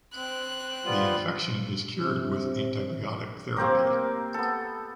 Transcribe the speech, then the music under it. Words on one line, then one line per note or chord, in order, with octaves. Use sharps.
The infection is cured with antibiotic therapy.
C4 F#6
G3 B3 F4
C3
A#3 C4 G4 A#4
B3 A4